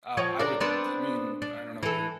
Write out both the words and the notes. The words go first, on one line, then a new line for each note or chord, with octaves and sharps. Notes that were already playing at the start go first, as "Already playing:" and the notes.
Uh, I would I mean, I don't know what your
F3 C#5 D#5
D4 A#4 D5
B3 C4 D4
D4
E3 A4